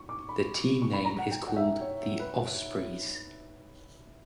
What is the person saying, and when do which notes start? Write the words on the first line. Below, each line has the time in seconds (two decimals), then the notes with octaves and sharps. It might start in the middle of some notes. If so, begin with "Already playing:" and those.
The team name is called the "Ospreys".
Already playing: C#6
0.09 D6
0.29 B5
0.82 C#6
0.93 B5
1.05 A#5
1.18 F#5
1.31 G5
1.47 F#5
1.56 E5
1.81 C#5
2.20 B4